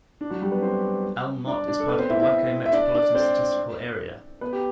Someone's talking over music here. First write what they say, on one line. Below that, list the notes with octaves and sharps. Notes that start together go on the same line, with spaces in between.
Elm Mott is part of the Waco Metropolitan Statistical Area.
D4
F#3 F#4
G3 G4
B3 B4
C4 C5
D4 D5
D4 D5
A4
B3 B4
C4 C5
E4 E5
E4 E5
E5
D4 D5
D4 D5
C4 C5
B3 B4
G4